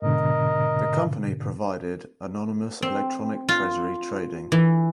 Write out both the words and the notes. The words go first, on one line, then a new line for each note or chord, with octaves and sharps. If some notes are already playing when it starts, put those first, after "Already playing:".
The company provided anonymous electronic Treasury trading.
G#2 B2 D3 A#4 D#5
C4
F4
E3